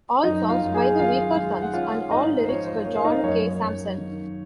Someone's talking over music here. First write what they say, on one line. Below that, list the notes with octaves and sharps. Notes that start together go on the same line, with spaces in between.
All songs by The Weakerthans and all lyrics by John K. Samson.
F#2 D#4 D#5
F4 F5
F#2
G#4 G#5
D#3 F4 F5
G#3
F#5
C#4 F4 F5
G#2 D#4 D#5
C5
F3 C#5
C5
A#3 C#5
F5
D#4 D#5
F#2 C#5
F#2
D#3